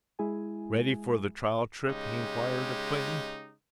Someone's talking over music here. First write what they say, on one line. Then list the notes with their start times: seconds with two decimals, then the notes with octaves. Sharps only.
"Ready for the trial trip?" he enquired of Quinton.
0.19 G#3 E4 G#4 G#5
1.87 C#3 G#3 D#4 G4